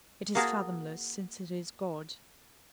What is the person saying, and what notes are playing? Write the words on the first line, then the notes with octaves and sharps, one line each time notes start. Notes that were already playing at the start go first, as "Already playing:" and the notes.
It is fathomless, since it is God.
A#3 F#4 G#4 A#4 A5